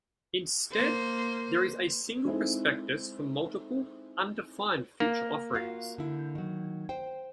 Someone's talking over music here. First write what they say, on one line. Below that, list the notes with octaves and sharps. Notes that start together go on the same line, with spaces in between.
Instead, there is a single prospectus for multiple, undefined future offerings.
A#3 C5
G#3 C4 D#4 E4 A4 C5
A#3
F4 F#4 F5
D3 E4
D#3 F#3
C5 G5